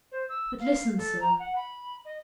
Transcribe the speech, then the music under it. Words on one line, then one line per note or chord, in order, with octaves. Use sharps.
But listen, sir.
C5
E6
F5
A4
A#5
F#5
B5
D#5